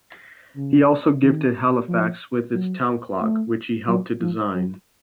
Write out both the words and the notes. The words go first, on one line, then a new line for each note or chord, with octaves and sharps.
He also gifted Halifax with its Town Clock, which he helped to design.
C#3
D#3
F3
F#3
A3
F#3
F3
F#3